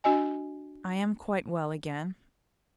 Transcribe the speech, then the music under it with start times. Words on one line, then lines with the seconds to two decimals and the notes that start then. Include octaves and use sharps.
I am quite well again.'
0.04 D4 F#4 D#5 G#5